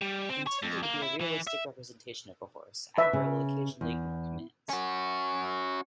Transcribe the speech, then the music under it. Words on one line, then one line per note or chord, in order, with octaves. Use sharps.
Intended to be a realistic representation of a horse, Agro will occasionally ignore commands.
G3
C4
C#5
F2
A#3
E4
E3
E5
B4 E5
C#3
E2
C#4 F#4